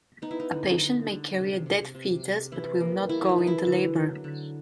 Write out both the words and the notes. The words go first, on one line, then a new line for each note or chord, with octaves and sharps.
A patient may carry a dead fetus but will not go into labor.
B3 D#4
E4
D#4
D3
D3
D3
C3
C3
C3
C3
E3 E4
A#3
G3 E4
E4
D#4
E3
E4
D3
F#3
D3